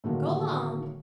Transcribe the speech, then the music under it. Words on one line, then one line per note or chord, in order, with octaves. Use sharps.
Go 'long.
A2 D3 D#3 F#3 G#3 A#3